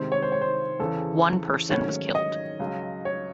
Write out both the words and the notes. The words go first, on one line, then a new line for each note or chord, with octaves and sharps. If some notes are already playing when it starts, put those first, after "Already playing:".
One person was killed.
Already playing: C3 D#3 G#3 C4 C5
C#5
C5
C#5
C5
E2 C#3 E3 A4
G#2 D#3 F#3 A3 C#4 C#5
D#5
C#2 C#3 F#3
C#5